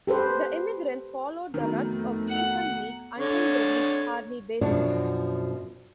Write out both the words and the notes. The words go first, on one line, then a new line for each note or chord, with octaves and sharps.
The emigrants followed the ruts of Stephen Meek until they reached Harney Basin.
G4 A4 B4 C5
F2 D#3 F#3 A3 B3 A#5
F#5
D3 C#5
F#2 B2 F3 D4 F#4